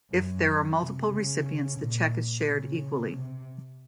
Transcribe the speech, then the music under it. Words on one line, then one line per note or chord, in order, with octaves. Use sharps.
If there are multiple recipients, the cheque is shared equally.
F#2
C3
C#3
A#2
C#3
C3